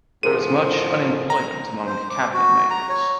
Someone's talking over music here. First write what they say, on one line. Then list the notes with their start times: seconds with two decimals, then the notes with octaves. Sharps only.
There is much unemployment among cabinetmakers.
0.23 A2 D3 F3 G#4 A#4 D#7
1.30 A#5
1.87 C5
2.10 D6
2.34 F#4
2.70 A#5
2.89 C#5